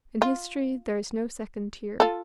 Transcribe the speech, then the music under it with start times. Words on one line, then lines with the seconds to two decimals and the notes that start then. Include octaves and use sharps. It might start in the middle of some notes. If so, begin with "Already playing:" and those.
In history there is no second tier.
0.22 F4
2.00 F4 A4